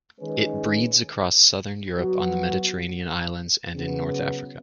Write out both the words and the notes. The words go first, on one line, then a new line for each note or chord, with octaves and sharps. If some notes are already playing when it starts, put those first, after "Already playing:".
It breeds across southern Europe, on the Mediterranean islands and in north Africa.
D#3 G#3 C#4 B4
F#3 B3 F#4
C#3 F#3 B3